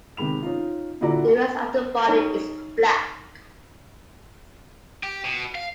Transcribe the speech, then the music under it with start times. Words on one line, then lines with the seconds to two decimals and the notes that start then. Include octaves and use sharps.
The rest of the body is black.
0.17 C3 D#3 G#3 B5 F7
0.42 C#4 D#4 F4
1.01 A#2 D3 E4 F#4 D5 A#5
2.08 D#4 C#5 A5
5.03 G4
5.25 B2
5.55 F5